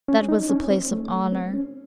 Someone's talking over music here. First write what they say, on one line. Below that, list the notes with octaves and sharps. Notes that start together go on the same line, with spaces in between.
That was the place of honor.
C#4
D#4
C#4
C4
A3
A3
C4
C#4